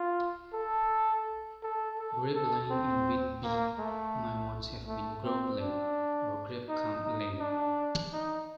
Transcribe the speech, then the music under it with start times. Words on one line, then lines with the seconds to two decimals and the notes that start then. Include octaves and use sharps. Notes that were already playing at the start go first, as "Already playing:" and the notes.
Grape Lane in Whitby may once have been Grope Lane, or Grapcunt Lane.
Already playing: F4
0.53 A4
1.63 A4
1.99 A4
2.35 A4
2.70 C4
3.43 A#3
3.79 A3
4.87 A3
5.24 C4
5.60 D4
6.69 D#4
7.04 D#4
7.40 D4
8.13 D#4